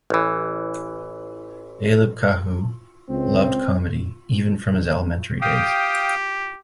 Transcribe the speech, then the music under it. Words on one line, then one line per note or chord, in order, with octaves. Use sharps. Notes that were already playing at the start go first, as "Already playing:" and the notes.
Alebcahew loved comedy even from his elementary days.
A1 E3
C#2 C4
G4 F5 G5 D#6